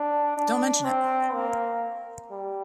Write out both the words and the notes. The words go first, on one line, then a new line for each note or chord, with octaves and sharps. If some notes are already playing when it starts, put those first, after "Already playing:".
Don't mention it.
Already playing: D4
D4
C4
A#3
G3